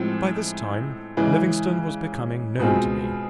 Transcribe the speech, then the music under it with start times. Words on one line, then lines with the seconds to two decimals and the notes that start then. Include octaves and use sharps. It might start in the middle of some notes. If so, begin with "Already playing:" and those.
By this time Livingstone was becoming known to me.
Already playing: A2 F3 G#3 C4
1.17 C#3 E3 G#3
2.59 B2 G#3 C4 F4 G#4